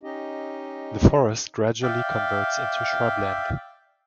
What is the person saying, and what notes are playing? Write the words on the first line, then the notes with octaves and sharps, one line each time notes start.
The forest gradually converts into shrub land.
C#4 D#4 G4 D#5
D5 E5 F5 G5